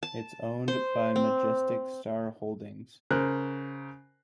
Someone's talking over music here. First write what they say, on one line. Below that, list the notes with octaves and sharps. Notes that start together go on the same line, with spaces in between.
It is owned by Majestic Star Holdings.
A5
C5
C4
C#3 A#4 C5 F#6